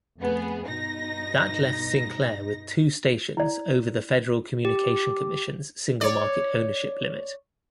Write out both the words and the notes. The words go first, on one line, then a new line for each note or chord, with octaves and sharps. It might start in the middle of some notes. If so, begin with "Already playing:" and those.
That left Sinclair with two stations over the Federal Communications Commission's single-market ownership limit.
F2 A3 B3 G#4
G2 B2 D#4 A#6
E4 D5
G4
C#5 D5